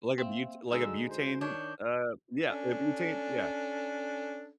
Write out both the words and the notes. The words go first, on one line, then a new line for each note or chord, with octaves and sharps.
Like a bute like a butane? Uh, yeah, a butane? Yeah.
A#3 C4 E5 F5
D3 G#3 D#4 F#4 E6
C5
D#3 D4 C#5 G6
C#4 D4 A4